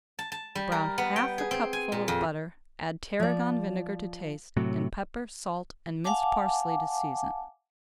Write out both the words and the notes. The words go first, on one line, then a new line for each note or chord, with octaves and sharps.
Brown half a cupful of butter, add tarragon vinegar to taste, and pepper, salt, and minced parsley to season.
A5
A5
G3
A#4
B3
G5
G#4
C4
G#5
A#2
F2
F3 D5
A2 C3 F#3
F5 F#5 G#5 A5 D6